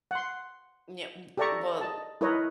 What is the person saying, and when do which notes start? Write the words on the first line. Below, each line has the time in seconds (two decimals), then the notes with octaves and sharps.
Yeah we well,
0.11 F#5 C6
1.37 G4 A4 D5 E5 A#5 C#6
1.81 D#5 A5
2.21 E4 A#4 B4 C#5 D#5